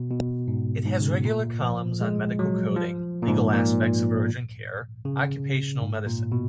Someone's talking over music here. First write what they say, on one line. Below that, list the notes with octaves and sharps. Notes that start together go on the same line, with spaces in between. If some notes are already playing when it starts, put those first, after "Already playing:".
It has regular columns on medical coding, legal aspects of urgent care, occupational medicine.
Already playing: B2
B2
G#2
G#2
C#3
B2
A#2
F3
G#3
F#3
F3
A#2
G#2
A#2
C#3
G#2
A#2
B2